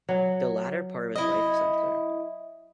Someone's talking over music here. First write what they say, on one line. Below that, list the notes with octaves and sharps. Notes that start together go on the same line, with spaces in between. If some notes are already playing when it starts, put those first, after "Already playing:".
The latter part of his life is unclear.
F#3
E4 D#5